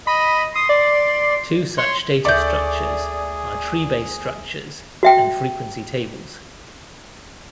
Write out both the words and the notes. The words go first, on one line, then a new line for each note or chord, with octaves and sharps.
Two such data structures are tree-based structures and frequency tables.
D#5 B5
C6 D#6
D5
C#5 C6
D2 A3 G#4 D5 E5 G6
F#4 E5 G5